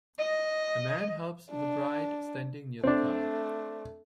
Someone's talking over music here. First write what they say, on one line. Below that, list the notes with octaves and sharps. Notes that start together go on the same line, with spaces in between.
A man helps the bride standing near the car.
D#5
D4
A3 C4 D4